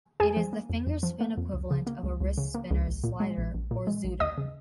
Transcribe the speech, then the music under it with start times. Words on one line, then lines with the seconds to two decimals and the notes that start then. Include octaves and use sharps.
It is the finger spin equivalent of a wrist spinner's "slider" or "zooter".
0.20 F2 G#4 G#5
0.37 F3
0.53 A#3
0.69 F2
0.87 F2
1.03 F3
1.21 A#3
1.37 F2
1.54 C#2
1.71 C#3
1.87 A#3
2.03 C#2
2.20 C#2
2.38 C#3
2.54 A#3
2.71 C#2
2.87 A#1
3.03 A#2
3.20 G#3
3.38 A#1
3.54 A#1
3.71 A#2
3.87 G#3
4.04 A#1
4.20 D#2 D#5 D#6
4.37 C#3